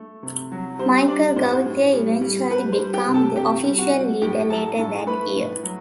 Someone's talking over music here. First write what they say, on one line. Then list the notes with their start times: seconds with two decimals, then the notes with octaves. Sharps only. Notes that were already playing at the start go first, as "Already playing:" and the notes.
Michel Gauthier eventually became the official leader later that year.
Already playing: A3
0.23 C3
0.52 F#3
0.79 G3 C5
1.07 G3 D4 D5
1.36 A2 C5
1.65 A2
1.93 G3
2.21 G3
2.50 G3 B4
2.72 C5
2.79 G3
2.93 G4 G5
3.08 C3
3.14 A4 A5
3.36 C3 G4 G5
3.64 G3
3.78 F#4 F#5
3.93 G3
4.22 A2 G4 G5
4.49 F#3 A4 A5
4.78 A2 A4 A5
5.06 A3 B4 B5
5.36 A2
5.63 F#3